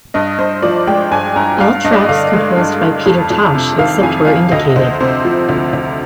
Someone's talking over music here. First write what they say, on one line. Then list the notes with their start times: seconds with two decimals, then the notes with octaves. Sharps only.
All tracks composed by Peter Tosh except where indicated.
0.14 G2 D#5
0.39 G2 C5
0.62 F3 D5
0.87 G#3 G5
1.11 G2 G#5
1.36 G2 A#5
1.60 G2 F5
1.84 G2 D#5
1.92 D5
2.00 D#5
2.09 D3 F5
2.33 G#3
2.57 G2
2.82 G2
3.06 F2
3.30 F2
3.55 C3
3.78 D#3 F5
4.03 F2 G#5
4.27 F2 F5
4.52 D2 D#5
4.76 D2 C5
5.00 C3 C5
5.25 F3
5.49 D2
5.73 D2